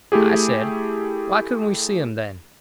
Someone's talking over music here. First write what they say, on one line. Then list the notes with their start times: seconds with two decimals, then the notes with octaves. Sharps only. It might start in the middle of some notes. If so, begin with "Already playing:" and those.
I said, why couldn't we see them, then?
0.12 A3 E4 G4 G#4